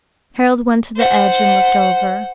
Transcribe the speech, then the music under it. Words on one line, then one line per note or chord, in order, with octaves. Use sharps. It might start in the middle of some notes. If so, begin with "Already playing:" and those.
Harald went to the edge and looked over.
C5 F#5